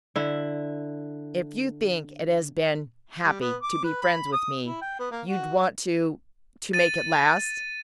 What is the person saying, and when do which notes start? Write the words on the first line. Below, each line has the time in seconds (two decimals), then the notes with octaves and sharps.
"If you think it has been--happy--to be friends with me--you'd want to--to make it last."
0.15 D3 E4
3.25 G3
3.41 B3
3.62 D6
3.84 B4
4.02 B5
4.32 D#6
4.66 E4
4.82 G5
4.99 B3
5.11 A#3
5.28 F#4
6.73 A6 D#7